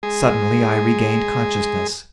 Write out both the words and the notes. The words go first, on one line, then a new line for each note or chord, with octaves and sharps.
Suddenly I regained consciousness.
G#3 G#4